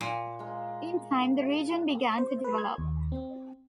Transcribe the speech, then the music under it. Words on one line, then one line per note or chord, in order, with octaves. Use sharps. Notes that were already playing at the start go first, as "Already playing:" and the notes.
In time, the region began to develop.
A#2
G#3 A#3
C5
B4
G#6
D#2
C4